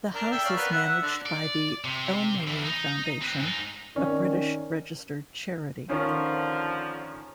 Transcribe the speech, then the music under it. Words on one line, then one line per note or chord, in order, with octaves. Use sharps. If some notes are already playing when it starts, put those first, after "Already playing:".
The house is managed by the Elmley Foundation, a British registered charity.
D4 A#4
A4 E5 G5
C#4 D5 F5
B3 A#4 B4
E5 F#5
D3 D5
D5
C3
E2 E3
D#4
C4 B4
G#2 D#4
D#3 C#4 D4
D3 D#3 F3 C#4